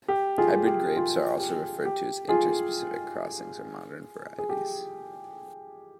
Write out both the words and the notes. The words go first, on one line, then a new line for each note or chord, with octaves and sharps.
Hybrid grapes are also referred to as inter-specific crossings or Modern Varieties.
G4
F4 G#4
G4
F4
G4
G4
F4 G#4
G#4
G4